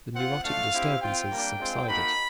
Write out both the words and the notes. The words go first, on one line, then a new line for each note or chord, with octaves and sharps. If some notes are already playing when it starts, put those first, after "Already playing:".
The neurotic disturbances subsided.
C4 F4 F#5
A3 D4 F4 F5
C4 E4 G4
C4 F4 G5
G3 A#3 D4
G#3 C4 F4
A#3 D#4 F#4 B5